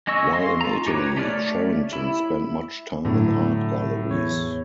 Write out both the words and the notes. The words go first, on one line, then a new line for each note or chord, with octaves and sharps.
While in Italy, Sherrington spent much time in art galleries.
G#3 C#4 D#5 C#6 E6
F5 C6
F4 A#5
D#4 G4 A#4 B4 C#5
A3 G4 C#5 D5 F6
E4
A2 D3 F#3
E2 C#5